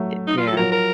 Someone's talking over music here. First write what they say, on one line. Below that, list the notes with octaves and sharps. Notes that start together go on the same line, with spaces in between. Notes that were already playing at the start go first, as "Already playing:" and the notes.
Eh, yeah.
Already playing: F#3 A3
D#4
F4
A4
F3
F#3 A#4
A#4